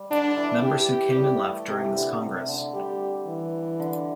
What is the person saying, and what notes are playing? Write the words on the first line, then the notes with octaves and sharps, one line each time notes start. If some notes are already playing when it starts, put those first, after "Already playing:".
Members who came and left during this Congress.
Already playing: G3
D3 D4
E3
G4
G3
A3
C3 G4
E3
D3
C3
D3
G3 G4
E3
D3